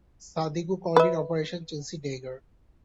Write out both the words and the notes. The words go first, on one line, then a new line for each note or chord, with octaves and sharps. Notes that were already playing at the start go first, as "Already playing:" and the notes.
Sadiku called it Operation Chelsea Dagger.
B4 E5